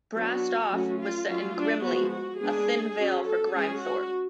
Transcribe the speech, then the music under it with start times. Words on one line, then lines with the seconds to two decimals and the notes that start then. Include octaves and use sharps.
"Brassed Off" was set in "Grimley", a thin veil for Grimethorpe.
0.15 F#3 B3 D4 F#4
0.72 F#3 A3 C#4
1.00 F4
1.28 F#3 A3 C#4 F4
1.56 D4
1.84 F3 G#3 B3 F#4
2.13 F#4
2.41 G#3 B3 D4 G#4
2.97 F#3 C#4
3.26 A4
3.54 G#3 C#4 G#4
3.82 F#4